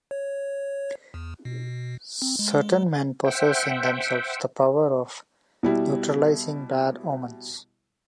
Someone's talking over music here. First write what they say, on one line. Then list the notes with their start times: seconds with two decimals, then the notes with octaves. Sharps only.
Certain men possess in themselves the power of neutralizing bad omens.
0.11 C#5
1.14 E2
1.45 B2
2.22 C4
2.39 G#3
3.25 C5 E5 F#5 G5
5.63 B2 G3 E4